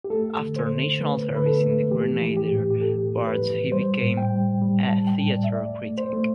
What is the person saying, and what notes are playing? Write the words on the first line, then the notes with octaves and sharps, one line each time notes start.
After National Service in the Grenadier Guards he became a theatre critic.
G4
A3 A4
D3
C5
D3
A3 B4
D3 B4
A4
A3
E3 G4
E3
G4
A2
G4
E3 A4
E3
B4
E3
G3 C5
A2
G5
G3
G3
A5
G3
G5
A2
D5
E5
A3 D5
A3
C5
A3